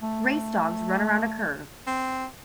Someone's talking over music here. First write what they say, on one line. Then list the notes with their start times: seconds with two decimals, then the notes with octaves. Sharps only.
Race dogs run around a curve.
0.02 A3
1.87 C4